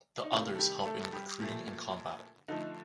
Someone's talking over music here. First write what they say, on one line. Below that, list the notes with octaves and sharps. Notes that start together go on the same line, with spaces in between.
The others help in recruiting and combat.
D#4
C3 D#3 A3 F4
A4
G3 G4
A3 A4
A4
G3 G4
A#2 F3 A3
D3 F3 A3 D#4